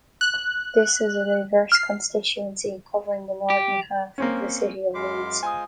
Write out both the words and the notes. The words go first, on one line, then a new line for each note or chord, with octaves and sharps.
This is a diverse constituency covering the northern half of the City of Leeds.
F#6
F6 C7
G4
A#3 C4 C#4
F#2 G#3 F5 B5 C6 D6
G#3 F4 C5 G#5 D#6